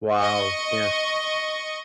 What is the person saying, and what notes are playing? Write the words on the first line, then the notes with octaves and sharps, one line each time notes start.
Wow, yeah.
D#5 C#6